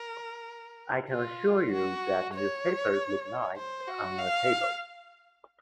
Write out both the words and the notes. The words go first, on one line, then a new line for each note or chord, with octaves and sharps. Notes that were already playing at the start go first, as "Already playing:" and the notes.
I can assure you that newspapers look nice on a table.
Already playing: A#4
F4
F#4
C#5
C5
F#4
F5